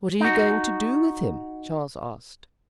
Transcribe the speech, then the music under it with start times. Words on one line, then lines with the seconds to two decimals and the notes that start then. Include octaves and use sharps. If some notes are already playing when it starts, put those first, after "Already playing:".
"What are you going to do with him?" Charles asked.
0.20 D#4 F#4